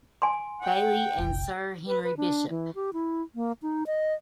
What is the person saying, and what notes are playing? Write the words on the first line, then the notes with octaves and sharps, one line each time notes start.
Bayley and Sir Henry Bishop.
G#5 C6
F#5 G5
F1 A#1
B4
B4
D4
E3
G4
E4
A#3
D#4
D#5